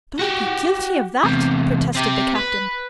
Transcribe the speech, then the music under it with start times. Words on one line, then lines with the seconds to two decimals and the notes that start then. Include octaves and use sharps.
"Could I be guilty of that?" protested the Captain.
0.19 F#4 G4
1.24 E2 C3
1.95 C4 G4
2.36 B4